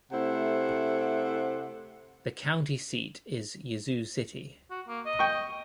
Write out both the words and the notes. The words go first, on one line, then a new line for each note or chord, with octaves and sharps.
The county seat is Yazoo City.
C3 A3 E4 C5 F#5
F#4
A#3
D#5
G5 C#6